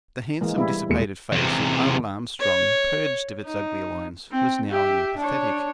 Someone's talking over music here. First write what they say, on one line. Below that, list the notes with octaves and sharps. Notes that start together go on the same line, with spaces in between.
The handsome, dissipated face of Arnold Armstrong, purged of its ugly lines, was now only pathetic.
E3 G#3 A#3
G3 E4
E1 G#3 C#7
E2 C3
C#5
D#4
C4
G4 E5
D4 C#5